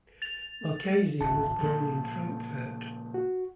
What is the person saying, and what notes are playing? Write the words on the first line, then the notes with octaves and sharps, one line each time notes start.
Marchesi was born in Frankfurt.
A6 F7
D1 G#1 A5
A#2 C#3 F3
F#4